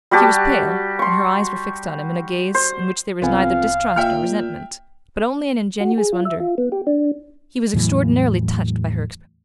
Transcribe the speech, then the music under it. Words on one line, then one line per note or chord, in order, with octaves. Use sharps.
She was pale, and her eyes were fixed on him in a gaze in which there was neither distrust or resentment, but only an ingenuous wonder. He was extraordinarily touched by her expression.
G3 F#4 G4 A5
C6 C#6
C5
C2 F2 B3 F5 G#5
A#2 E5 G5 F6
F#4
G#4
F4
E5
F4
B3
G4
D4
E2 A2 E3 F#3